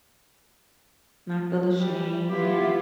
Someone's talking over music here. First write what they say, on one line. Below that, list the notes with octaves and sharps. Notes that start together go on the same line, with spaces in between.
not feel ashamed and
G3
B3 E4 F4 G4